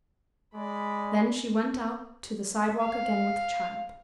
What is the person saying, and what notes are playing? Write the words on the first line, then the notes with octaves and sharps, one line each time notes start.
Then she went out to the side-walk again with the child.
G#3 D5 B5
F5